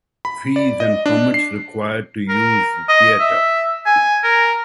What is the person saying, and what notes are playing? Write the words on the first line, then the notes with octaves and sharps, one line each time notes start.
Fees and permits required to use the theater.
B5
D5
D#5
D4
C7
A#4
D#5
E5
G#5
A#4